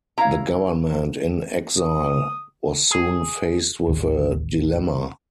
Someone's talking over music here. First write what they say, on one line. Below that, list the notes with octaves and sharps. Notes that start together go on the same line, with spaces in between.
The government-in-exile was soon faced with a dilemma.
E4 C#5 F5 A#5
D#6
G#4
D1 A1 D#2